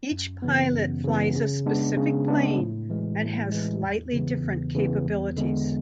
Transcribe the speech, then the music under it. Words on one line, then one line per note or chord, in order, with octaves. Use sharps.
Each pilot flies a specific plane and has slightly different capabilities.
F#2
C#3 E3 B3
F#2
C#3 E3 B3
C#3
G#3 B3 D4
C#3
G#3 B3 D4
A2
E3 G#3
A2
E3 G#3
E2
C#3 E3 B3
E2
C#3 E3 B3
E2
D3 G#3 B3